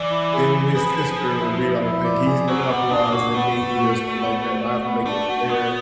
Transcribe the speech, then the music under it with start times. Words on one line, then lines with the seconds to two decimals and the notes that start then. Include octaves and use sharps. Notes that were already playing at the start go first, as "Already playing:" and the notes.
then his sister will be like think he's monopolizing me, or something like that, and I have to make it fair,
Already playing: E3 D5
0.11 E4
0.33 G#4
0.54 G#4
0.75 F3 B4
0.98 G#4
1.19 B4
1.40 E4
1.62 E4
1.83 E4
2.04 D5
2.26 G#4
2.48 F#3 F#4
2.69 G3 B3
2.90 G#3 D4
3.12 A#3 F#4
3.34 A3 B3
3.56 B3
3.77 F#4
3.99 F#4
4.20 B3
4.42 F#4
4.63 F#4
4.84 B3
5.06 A3 D4
5.28 F#4
5.49 B3 F#4